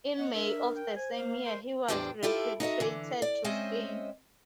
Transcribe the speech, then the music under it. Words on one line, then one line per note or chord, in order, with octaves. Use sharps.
In May of the same year he was repatriated to Spain.
B3 D#5 F#5
D4 A#4 E5
G5
C5 G#5
A#3 F5
A#4 C5
E2 A2 D4 G4 C5 G5
E4 F4 G4 A4
D#4 F#4 D#5 E5
D3 E3
D5
G#3 C4 C#4 C5 D#5 E5